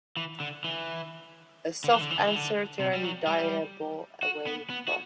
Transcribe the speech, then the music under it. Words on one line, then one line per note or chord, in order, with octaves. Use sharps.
A soft answer turneth diabo away wrath.
E3
D3
E3
D3
E3
D3
E3
D3
E3
D3
C3
G3
F#3
G3
F#4
B3
B3
F#4